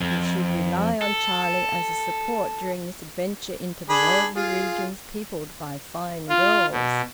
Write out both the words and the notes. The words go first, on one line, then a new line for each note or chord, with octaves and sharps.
He should rely on Charlie as a support during this adventure into the worldly regions peopled by fine girls.
F2
A4
D4 G#4 B5
F4 G#4
F4
B2